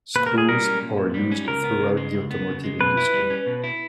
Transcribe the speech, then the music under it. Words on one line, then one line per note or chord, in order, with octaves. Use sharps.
Screws are used throughout the automotive industry.
A#2 B4
A#2 A#4
G#4
G3 A#4
C#4
A#2
A#2
G3
C#4
C#2 A#4
B3
C#3
G#3
C#2
B3
C#3
G#3
B2 B4
E4
G3
C#4
B2
E4